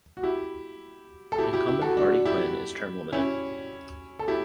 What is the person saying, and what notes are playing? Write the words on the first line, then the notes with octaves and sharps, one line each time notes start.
Incumbent Marty Quinn is term limited.
F#4
E4 G4
A4
E4 G4
E4 G4
E4 G4
F#4 A4
D4 F#4
E4 G4
C#4 E4
A4
E4 G4